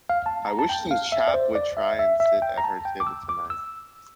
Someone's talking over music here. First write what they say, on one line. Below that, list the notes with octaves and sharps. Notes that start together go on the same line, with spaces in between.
I wish some chap would try and sit at her table tonight.
F5
A5
A#5
A5
G5
F5
E5
D5
C5
D5
E5
E5
E5
G5
A#5
A5
G5
D6
E6
D6
E6